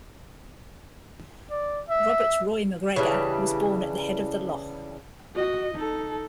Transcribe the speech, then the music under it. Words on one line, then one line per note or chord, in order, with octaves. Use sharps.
Robert Roy MacGregor was born at the head of the loch.
D5
E5
C#3 E3 G3 D4
F#4 D#5
D#4 A4